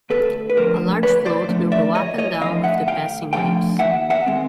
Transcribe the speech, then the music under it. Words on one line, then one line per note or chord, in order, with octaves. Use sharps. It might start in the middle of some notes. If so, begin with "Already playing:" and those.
A large float will go up and down with the passing waves.
D2 A4 B4
B4
D3 F3 A3 A#4 C5
D2 B4 C#5
C5 D5
D3 F3 A3
D5 E5
D2 C#5 D#5
C#5 D#5
D3 F3 A3 D#5 F5
E5 F#5
D2 F5 G5
D3 F3 A3 F5 G5
D#2 E5 F#5
E5 F#5
D#3 G#3 C4